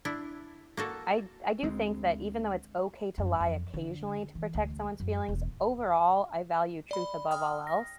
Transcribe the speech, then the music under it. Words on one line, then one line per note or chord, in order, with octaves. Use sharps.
I I do think that even though it's okay to lie occasionally to protect someone's feelings, overall, I value truth above all else,
D4 E4
A#3 F#4 A4
D2 G#3 C4
F#2
F2
D3
E3
D2
F#2
E1
D5 B5
G5 D#6 F6
A#6